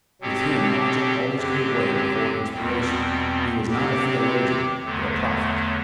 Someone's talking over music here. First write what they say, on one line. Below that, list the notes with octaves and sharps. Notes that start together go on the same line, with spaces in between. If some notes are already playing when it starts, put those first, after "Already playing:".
With him logic always gave way before inspiration: he was not a theologian, but a prophet.
B2 F#3 C4 G4
F#2 D3 F#3 C4 G4
E2 B2 G3 C4
C3 F#3 C4 G4
E2 D3 F#3 A3